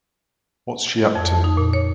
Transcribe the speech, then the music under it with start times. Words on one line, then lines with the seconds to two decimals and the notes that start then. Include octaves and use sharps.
What's she up to?
1.15 F2
1.29 A5
1.44 D#4
1.57 A#2
1.73 C#5